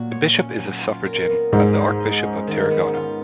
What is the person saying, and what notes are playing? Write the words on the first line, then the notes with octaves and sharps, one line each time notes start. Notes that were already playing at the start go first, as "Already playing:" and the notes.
The bishop is a suffragan of the Archbishop of Tarragona.
Already playing: A#2 F#3 F#4
C#5
C#4
F#3
F4
A#4
B3
G#2 G#3
G#4
D#5
C#4
D#3
B3
F4